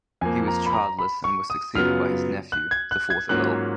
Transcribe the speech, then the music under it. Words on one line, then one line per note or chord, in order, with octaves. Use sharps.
He was childless and was succeeded by his nephew, the fourth Earl.
F2 F3 A#3 G#5
A#5
B5
A#5
B5
C#6
D#6
F#2 C#3 F#3 B3 F4 F6
F#6
G#6
F#6
G#6
G#2 F#3 A#3 C#4 F4 F#6